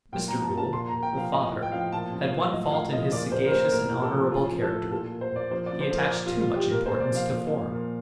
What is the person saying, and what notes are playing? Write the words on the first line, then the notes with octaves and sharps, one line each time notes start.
Mr. Gould, the father, had one fault in his sagacious and honourable character: he attached too much importance to form.
A#2 G5
A#5
F3
A5
F3 A5
A#2 C6
A#5
A#2
G5
F3
F5
A2 D#5
A2
G5
F3 F5
G5
A#2 A5
F3
F5
F3
A2 D#5
A2 F5
F3 D#5
A#2 D5
A#2 C5
A#4
A#2 C5
A2 A#4
A2
A4
F3
F3 F4
F3
A4
A2
A#2 A4
A#2
C5
A#2 D5
F3 C5
D5
F3
C5
F3 A#4
A#2 D5
F4
A#2
F4
A#2
G4
A#2 A#4
C5
A#2
D5
F3 F5
A#2
F3
A#2